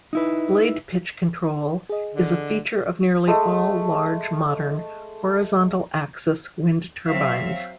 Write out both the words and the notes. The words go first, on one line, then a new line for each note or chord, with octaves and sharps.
Blade pitch control is a feature of nearly all large modern horizontal-axis wind turbines.
D#4 E4 B4
G#4 D#5
D3
G#3 A3
F#3 C4 E5 F5